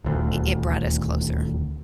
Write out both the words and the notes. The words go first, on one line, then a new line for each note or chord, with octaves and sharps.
it it brought us closer.
D#1 D2